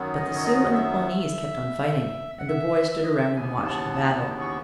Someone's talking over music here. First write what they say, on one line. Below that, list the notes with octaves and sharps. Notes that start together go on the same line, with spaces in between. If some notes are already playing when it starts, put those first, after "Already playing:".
But the Sioux and the Pawnees kept on fighting, and the boy stood around and watched the battle.
Already playing: F#2 D#3 F#3 B3
D#5
C#5
D#5
E5
F#5
E5
E5
D#5
E5
D#2 C#3 E3 B3 G#5
A5
A5
C#6